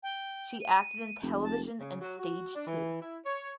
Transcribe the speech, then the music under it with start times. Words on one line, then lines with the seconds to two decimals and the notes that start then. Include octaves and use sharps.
She acted in television and stage too.
0.03 G5
0.60 D#7
1.23 F1
1.43 A5
1.79 C#3
2.01 F#3
2.19 F#4
2.55 D4
2.67 E3
3.02 E4
3.26 C#5